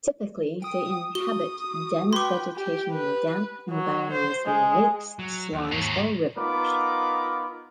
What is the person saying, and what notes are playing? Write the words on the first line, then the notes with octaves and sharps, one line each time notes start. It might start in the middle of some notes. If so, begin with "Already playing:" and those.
Typically they inhabit dense vegetation in damp environments near lakes, swamps or rivers.
G5 D#6
F#4 D#6 G7
B4 G5 C6 D6
G4
B4
F#3
C5
G#3
F#3
D#2
G#2 F#3
B3 D#4 F4 A#4 B5 D6